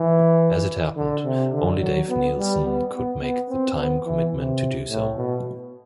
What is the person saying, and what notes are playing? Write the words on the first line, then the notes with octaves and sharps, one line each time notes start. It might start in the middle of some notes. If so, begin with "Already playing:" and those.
As it happened, only Dave Neilsen could make the time commitment to do so.
Already playing: E3
D3
C3
D3
F#3
B3
G3
B3
B3
B3
C4
B3
E3
C3
A2
B2